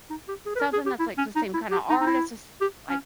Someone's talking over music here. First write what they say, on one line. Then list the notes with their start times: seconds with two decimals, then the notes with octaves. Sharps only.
something that's, like, the same kind of artist, s s like,
0.10 D#4
0.28 G4
0.46 G#4
0.56 B4
0.59 A#4
0.73 G#4
0.86 G4
0.99 E4
1.18 C#4
1.36 D#4
1.54 E4
1.72 G4
1.90 D#4
2.01 D#4
2.06 E4
2.61 G4
2.89 C#4